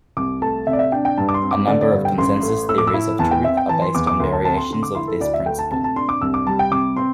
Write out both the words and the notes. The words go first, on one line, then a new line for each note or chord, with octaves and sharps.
A number of consensus theories of truth are based on variations of this principle.
C2 D6
A3 A5
C3 E5
D5
E5
D4 G5
G5
G2 A5
D6
C6
C4
D6
D3 D5
D5
G2
G5
A1 C6
A3
A2 E6
D6
E6
E4
E2 A5
G5
C4 E5
G5
E3 A5
C6
E2 D6
D6
D2 C6
A5
C4 A5
C6
D3 C6
D6
E4 C6
A4
D2 D5
E5
A3 G5
A5
C3 A5
A5
D4 C6
D6
C2 E6
D6
G3 A5
G5
C3 D6
C4 C6